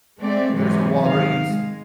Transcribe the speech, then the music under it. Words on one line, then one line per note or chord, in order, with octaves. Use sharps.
there's a Walgreens
G#3 A3 C4 D5
G#2 C3 E3 F#3 G#3
D#3 F5
G#3